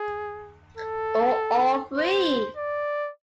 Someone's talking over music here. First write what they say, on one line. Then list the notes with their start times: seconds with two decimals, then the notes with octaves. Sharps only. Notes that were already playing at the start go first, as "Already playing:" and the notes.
Or all three.
Already playing: G#4
0.78 A4
1.97 C5
2.57 D5